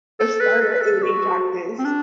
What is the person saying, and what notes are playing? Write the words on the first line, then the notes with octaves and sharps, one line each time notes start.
a starter aiming practice.
A4
B4
A4
B4
A4
F#4
C4
D4